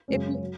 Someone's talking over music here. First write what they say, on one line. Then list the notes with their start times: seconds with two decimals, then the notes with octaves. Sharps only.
if you
0.08 F#2 C#3 G#3 C#4
0.42 F#3